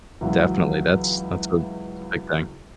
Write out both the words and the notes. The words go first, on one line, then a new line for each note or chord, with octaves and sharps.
Definitely, that's that's a that's a big thing.
C#2 E3 F#3